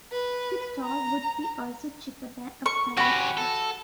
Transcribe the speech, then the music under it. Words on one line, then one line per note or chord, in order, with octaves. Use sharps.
The toll would be also cheaper than a ferry ticket.
B4
A#5
C#6
C#4 F#4 G4 B5
A4